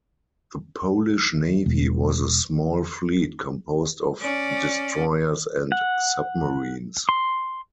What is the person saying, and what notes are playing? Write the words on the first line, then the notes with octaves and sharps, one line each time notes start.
The Polish Navy was a small fleet composed of destroyers and submarines.
E1
C#4 D5
F#5
C6